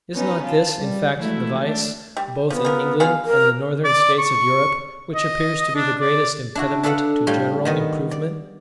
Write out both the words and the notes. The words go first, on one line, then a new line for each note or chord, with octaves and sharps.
Is not this, in fact, the vice, both in England and the northern states of Europe, which appears to be the greatest impediment to general improvement?
B3 C#4 D#4 B4
F4 A5
G3
E3 F3 G#3 A3 E4 F#4
A3 D4
G3
F3 B3
F3 A#4
B2 G#4 F5
A#4
D5
C#6
D#5
D4
D5
D4 E4 F#4
D4 A4 B4 F5 F#5
A2 G3 F4 C6
D#3 B3 D#5
D5